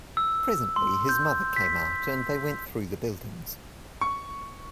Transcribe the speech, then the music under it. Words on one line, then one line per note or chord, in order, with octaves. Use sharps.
Presently his mother came out, and they went through the buildings.
E6
C6
G6
B6
C#6